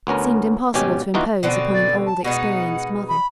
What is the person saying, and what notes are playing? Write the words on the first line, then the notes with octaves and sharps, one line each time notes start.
But it seemed impossible to impose upon an old experienced mother.
D2 B3 C#4 A#4
G#1 B2 C#4 G4 G#5
D#3 E3 A#3 D#4 F4 F#4
B2 D3 C4
D5
A5
B2 G#3 D#4 F#5
B5